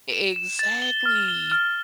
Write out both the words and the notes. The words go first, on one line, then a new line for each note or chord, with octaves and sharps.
E exactly.
E7
E7
A6
G7
F6
G7
F6